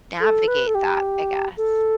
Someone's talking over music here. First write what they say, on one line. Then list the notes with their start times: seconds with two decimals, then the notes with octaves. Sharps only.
navigate that, I guess?
0.21 A4
0.48 B4
0.67 A4
0.75 G4
1.57 A4